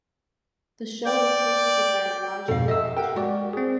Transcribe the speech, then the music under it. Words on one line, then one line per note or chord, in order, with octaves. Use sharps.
The show was hosted by Roger Lodge.
D5 G5
F2 G#2 B2 A4 F5
D#5 E5 E6
G4 A#4 F#5 G5
G#3 F#4 D5
C4 G#4